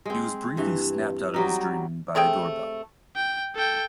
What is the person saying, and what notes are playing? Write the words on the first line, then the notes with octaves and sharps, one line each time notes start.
He was briefly snapped out of his dreaming by a door bell.
G#3 C4
G2 E3
F#3 G3 D#4
C3 A3 G#4 G5
G5
A4 G5